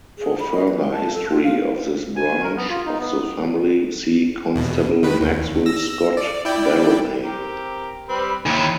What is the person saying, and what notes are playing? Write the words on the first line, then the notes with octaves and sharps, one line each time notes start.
For further history of this branch of the family, see Constable Maxwell-Scott baronets.
G#4
B5
D#5
B4
G#3
A5
A4
F4
F5
G#5
A#4
B3
F4
D#4
B3
E2 B2
D#3 B4
D#2
E6 A#6
D5
E4 D5 G5
C4 G4 A#4
G3 C4 B4
D#2 E4